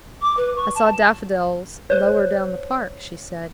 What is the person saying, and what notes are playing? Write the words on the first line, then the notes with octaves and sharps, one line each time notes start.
"I saw daffodils lower down the park," she said.
D6
B4
C#6
A5
C5 C#5